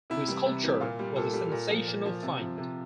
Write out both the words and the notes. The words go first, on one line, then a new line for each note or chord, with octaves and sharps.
The sculpture was a sensational find.
C3 E4
E3 G3
C3
E3 G3
A#2 F4
G3
A#2 A4
G3
A#2
F3
A#2
F3
C3
F3
C3